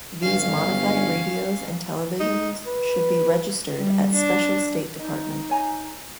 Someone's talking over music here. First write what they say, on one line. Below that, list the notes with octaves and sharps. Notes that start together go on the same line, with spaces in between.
These modified radios and televisions should be registered at special state department.
G1 C#4 F5
D#4
B4
G3
D4
D#4 D#5
C#5 G#5 A#5